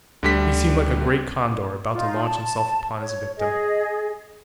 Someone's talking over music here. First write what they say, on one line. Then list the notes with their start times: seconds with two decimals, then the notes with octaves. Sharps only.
He seemed like a great condor about to launch himself upon his victim.
0.23 D2 D3 G3 B6
1.93 D#4 F4
2.25 A5
3.00 C#5
3.37 G#4 D#5